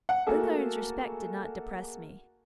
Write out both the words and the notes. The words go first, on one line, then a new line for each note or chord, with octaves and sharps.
Blenkiron's respect did not depress me.
F#5
A3 A#3 F#4 G#4 A4